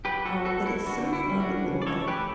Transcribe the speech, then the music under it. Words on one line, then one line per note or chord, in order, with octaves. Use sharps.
Um, but it's so fun to get away.
F#3 G4 B4
F#4 A4
B3 F#4 A4
E4
D3 D4 F#4
E4
G3 C#4
D4 F#4
C#3
D5
A4 C#5
E3 A3 C#4 G4 B4